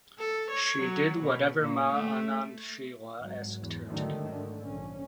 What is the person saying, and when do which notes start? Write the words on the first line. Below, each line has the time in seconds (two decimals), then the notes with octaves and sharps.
She did whatever Ma Anand Sheela asked her to do.
0.19 A4
0.51 C#5
0.82 F#3
1.20 B2
1.59 A#2
1.89 A3
3.20 G#1 F#3
3.60 E2
3.88 G#2 D3 D#3 F#3 A3
4.30 D3 A3
4.63 A#1 C#4